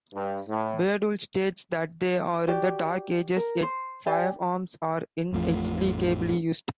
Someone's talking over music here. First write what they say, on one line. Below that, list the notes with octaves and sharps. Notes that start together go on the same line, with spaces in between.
Baydool states that they are in the Dark Ages, yet firearms are inexplicably used.
G2
A2
F#4 G4 D5
A#4
C5
G4 D5 G#5
A1 F2 A2 F3